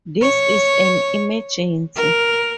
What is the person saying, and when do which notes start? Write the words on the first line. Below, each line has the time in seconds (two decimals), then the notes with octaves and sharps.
This is an emergency!
0.22 C#5
1.97 A#4